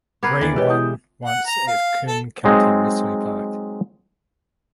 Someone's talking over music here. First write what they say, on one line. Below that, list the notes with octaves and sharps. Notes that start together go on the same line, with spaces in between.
Gray won once at Kern County Raceway Park.
B3 A#4 B4 D6 G#6 C7
D#2 E3 D5
G#3 G4 B4 C#5 D#5
E4 D#6 G6
F#5
A#5
F5
A4
F#3 G#3 C4 D#4